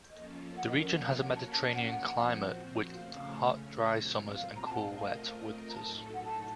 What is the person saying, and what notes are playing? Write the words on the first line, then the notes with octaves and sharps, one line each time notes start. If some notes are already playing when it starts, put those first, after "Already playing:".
The region has a Mediterranean climate with hot dry summers and cool wet winters.
F3 A#3 C#4 F4 A4 D#5
F#5
D#5
A#4
F#5
A#3 C#4 F#4 A#4 C#5 F5
F#5
A5
A5
F#5
F5
F#5
A#2 F3 C4 F#4 C5
C#3 A3 C#4 F5
A#2 F#3 C4 F4
F5
A#5
A5
F#5
A3 C4 F4 A#4 D#5 F5
A#5
A2 F#3 A3 D#4 A4 A5
F#5
A5